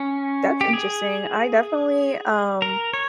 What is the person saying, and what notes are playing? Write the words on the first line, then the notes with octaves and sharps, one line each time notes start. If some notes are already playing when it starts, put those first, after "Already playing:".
That's interesting. I definitely, um,
Already playing: C#4
G4
G#4
A#4
C#5